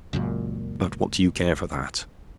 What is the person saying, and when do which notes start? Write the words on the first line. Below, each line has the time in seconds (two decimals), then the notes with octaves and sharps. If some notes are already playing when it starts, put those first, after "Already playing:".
But what do you care for that?
0.13 C#2 F#2 A#2